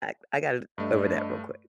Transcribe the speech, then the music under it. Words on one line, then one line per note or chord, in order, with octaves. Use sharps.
I I got over that real quick.
G2 A3 D4 D#5